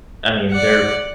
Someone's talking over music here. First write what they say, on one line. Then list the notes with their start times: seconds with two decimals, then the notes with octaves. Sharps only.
I mean, they're
0.51 D5 F#5